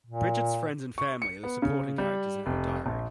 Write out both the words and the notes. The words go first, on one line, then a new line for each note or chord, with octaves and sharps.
Bridget's friends and family are the supporting characters in her diary.
A#2
C#6
C#7
B3
C#3
G3
F1
A#1